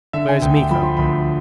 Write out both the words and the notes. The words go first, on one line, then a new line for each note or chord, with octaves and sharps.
"Where is Miko?"
D3 E5
G#5
D2 G5
G5
F3 B5
C6
D2 B5